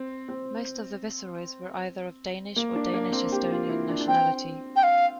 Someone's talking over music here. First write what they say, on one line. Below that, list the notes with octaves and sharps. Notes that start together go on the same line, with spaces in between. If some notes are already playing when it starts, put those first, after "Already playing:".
Most of the viceroys were either of Danish or Danish-Estonian nationality.
Already playing: C4
C4
A#3
D4
A#3
C4
G4
F4
E4
D4
D4
C4 G5
G5
F5